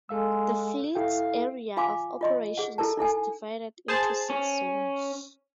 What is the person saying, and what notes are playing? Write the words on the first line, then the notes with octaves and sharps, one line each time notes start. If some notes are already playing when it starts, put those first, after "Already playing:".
The fleet's area of operations is divided into six zones.
G#3 A4 F5 E6
E4 A4 F5 G5
F4 F5 G#5 C6 D6
F4 D#5 C6
G#4 F#5
E4 A4 A#4 A5
D#4 E4 A4 G#5
G#4 C5 A5
C#4